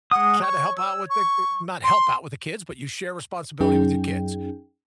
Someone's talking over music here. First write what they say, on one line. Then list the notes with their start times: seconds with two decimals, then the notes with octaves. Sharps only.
try to help out with the eh, not help out with the kids, but you share responsibility with your kids.
0.11 G#3 F#5 D#6
0.42 C#5 C#6
0.77 E6
1.10 C#6
1.84 C6
3.60 F#2 F#3 C#4 D#4 G#4 G5